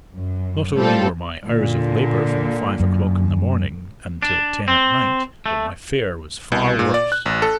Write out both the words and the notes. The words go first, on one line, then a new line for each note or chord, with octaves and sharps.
Not only were my hours of labor from five o'clock in the morning until ten at night, but my fare was far worse.
F#2
A2 G3 C4 F4 A4
A#2 D3
F#2
D4
C4
A3
C2
A#2
D5
F#6
A1
A4